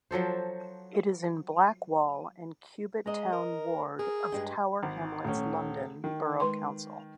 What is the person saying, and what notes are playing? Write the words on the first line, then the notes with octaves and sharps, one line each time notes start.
It is in Blackwall and Cubitt Town Ward of Tower Hamlets London Borough Council.
F3 F#3 A4 C5
G#3 D#5 A#5
A#4
G#4 A#4
G2 G#3
G#1
D#1 A3 C#4
D#3
G#3 B4 C6